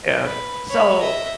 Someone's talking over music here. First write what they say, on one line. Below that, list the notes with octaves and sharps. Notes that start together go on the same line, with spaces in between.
yeah, so
B4
C#5 B5
D#5 E5